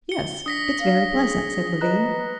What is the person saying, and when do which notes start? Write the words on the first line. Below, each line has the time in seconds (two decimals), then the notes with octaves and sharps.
"Yes, it's very pleasant," said Levin.
0.09 C#7 G7
0.46 D4 D#6 A#6 B6
0.80 F5
1.12 G#4
1.81 B4 D#5 A#5 F#6